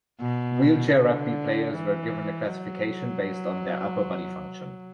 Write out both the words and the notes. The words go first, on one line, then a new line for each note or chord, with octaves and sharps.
Wheelchair rugby players were given a classification based on their upper body function.
B2
D3
E3
F#3